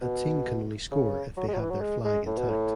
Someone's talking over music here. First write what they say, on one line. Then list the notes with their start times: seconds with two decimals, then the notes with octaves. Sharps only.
A team can only score if they have their flag intact.
0.02 B2
0.92 C#3
1.37 F#3
1.48 G#3
1.55 F#3
1.59 E3
1.70 F#3
1.81 G#3
2.05 G#3
2.26 A2
2.38 B2
2.50 A2